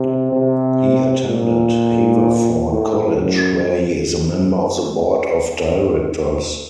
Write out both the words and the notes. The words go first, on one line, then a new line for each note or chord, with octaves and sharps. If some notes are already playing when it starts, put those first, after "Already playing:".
He attended Haverford College, where he is a member of the Board of Directors.
Already playing: C3
C3
A#2
A2
F#2